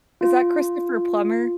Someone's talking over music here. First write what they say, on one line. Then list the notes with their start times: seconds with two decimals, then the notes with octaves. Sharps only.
Is that Christopher Plummer
0.21 F4